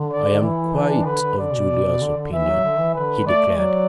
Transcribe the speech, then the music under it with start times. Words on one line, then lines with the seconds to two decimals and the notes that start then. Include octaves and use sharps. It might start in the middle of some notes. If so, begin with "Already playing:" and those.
"I am quite of Julius's opinion," he declared.
Already playing: D3
0.12 D5
0.43 E3 E4
0.74 D4
1.06 D3 B4
1.22 D3
1.38 D3 D5
1.53 B2
1.69 B2
1.85 B2
2.01 D3
2.17 D3
2.32 E3 E5
2.48 F#3
2.64 D3
2.80 E3
2.95 D3 B4
3.27 A3 D5
3.47 A3
3.58 F#3 D5